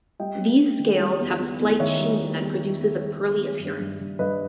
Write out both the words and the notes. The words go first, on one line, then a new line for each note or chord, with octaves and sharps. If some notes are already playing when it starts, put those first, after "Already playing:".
These scales have a slight sheen that produces a pearly appearance.
G3 D#5 G5
B3
B3
D#3
G3
E2
B3
E2
D#3 C#5 E5
G3
B3
G3
E2
E2
G3
D#3
B3
G2
G2
G2
G2 B4 D#5